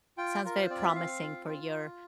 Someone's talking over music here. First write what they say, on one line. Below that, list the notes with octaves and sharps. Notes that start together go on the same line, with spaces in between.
sounds very promising for your
F4 G5
F4 A#4
C5
C4 D5
E5
C4 F5
F4
F4